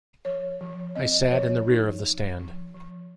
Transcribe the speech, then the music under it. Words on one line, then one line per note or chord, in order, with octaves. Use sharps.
I sat in the rear of the stand.
F3 C#5
F3
C4 D#5
F3 C#5
F3 D#4
F3
F3
F3